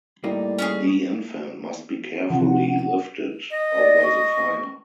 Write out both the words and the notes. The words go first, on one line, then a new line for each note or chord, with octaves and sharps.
The infant must be carefully lifted over the fire.
A2 G3 A#3 D#4 D5
C#4 D4 G#4
C3 F3 F#5
D#5
D5
C#6